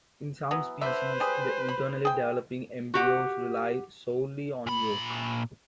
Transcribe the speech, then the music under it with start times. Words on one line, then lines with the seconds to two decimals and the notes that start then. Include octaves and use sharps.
In some species, the internally developing embryos rely solely on yolk.
0.51 E3 F#3 B3
0.81 D3 B4 C5 E5
1.20 G3 G#4
1.69 B5
2.05 G#4 G5
2.94 F#4 G4 F#5
4.67 A#2 B5